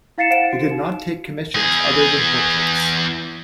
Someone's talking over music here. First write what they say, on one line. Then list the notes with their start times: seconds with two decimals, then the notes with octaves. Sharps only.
He did not take commissions other than portraits.
0.18 E4 F5 A6 C7 C#7 E7
0.30 C5 F5 F#5 D7 E7
0.53 F#4
0.71 D#4
1.55 E2 G#4